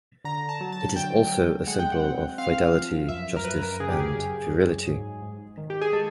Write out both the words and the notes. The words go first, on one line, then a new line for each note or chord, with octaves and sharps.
It is also a symbol of fidelity, justice and virility.
D3 A#5
A5
F#3
A5
D3 G5
F#3
G#3 F#5
G5
F#5
C4
C4 F5
F3
F#2 E5
A#4
F#2 B4
A#4
C#3 G#4
G4
G#4
F#2
F#3
G#2
G#2
D#3
G4
G#4
G#3 A4